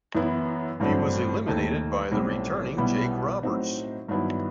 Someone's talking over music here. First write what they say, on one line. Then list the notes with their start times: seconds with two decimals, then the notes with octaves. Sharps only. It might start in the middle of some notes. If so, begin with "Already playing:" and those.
He was eliminated by the returning Jake Roberts.
0.15 F#2 E3 B3 E4
0.80 A1 G2 F#3 A3 C4
1.47 D#2 D#3 A3 D#4
2.12 B1 A2 G3 C4
2.77 B1 B2 G3 B3 E4
3.43 A2 F#3 C4 D#4
4.09 G2 D#3 F#3 B3 E4